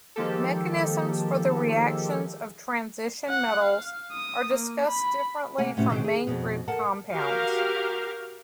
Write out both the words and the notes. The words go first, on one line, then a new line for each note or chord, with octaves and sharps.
Mechanisms for the reactions of transition metals are discussed differently from main group compounds.
D#3 F3 G#3 A#3 G4 A4
F#5
F5
D#6
A#3
B5
D#2 C3 A#3 F#5 G#5
A2 C3 B3 C#4 F#4
B2 D#3 E3 C4 C5
G#4
F2 B2
A4 A#4 F#5 A5
F#4 G4 A#4 F5